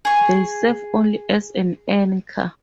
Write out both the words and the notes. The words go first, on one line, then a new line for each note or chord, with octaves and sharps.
They serve only as an anchor.
G#4 C#6